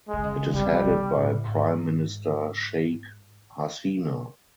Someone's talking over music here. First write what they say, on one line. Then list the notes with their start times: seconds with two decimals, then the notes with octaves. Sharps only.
It is headed by Prime Minister Sheikh Hasina.
0.08 G#3
0.14 D3
0.24 C#3
0.54 C3 G3
0.85 B2
1.15 A2
1.45 G#2